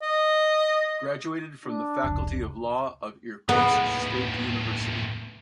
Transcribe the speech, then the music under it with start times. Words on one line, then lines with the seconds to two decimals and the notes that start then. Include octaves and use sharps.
Graduated from the Faculty of Law of Irkutsk State University.
0.02 D#5
1.66 D4
2.04 F1 C#2
3.49 D#2 A2 B3